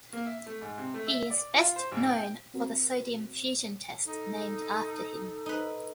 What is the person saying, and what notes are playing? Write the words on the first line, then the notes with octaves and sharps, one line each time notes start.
He is best known for the sodium fusion test named after him.
A#3
E5
A3
G#2
C3
A3
E5
D5
F4
C5
G#1
G5
C4 F#4 A#4 C5
D#4 A4
D#4 B4